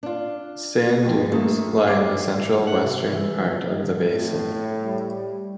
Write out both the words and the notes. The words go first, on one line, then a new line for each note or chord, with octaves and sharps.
Sand dunes lie in the central western part of the basin.
D4 F4
D#2 F3
F#2 A3 A#3 F4 D#6
G4 C5 D#5 G5 D6 C7
E3
F#5
C3
E3
D#3
A2
G3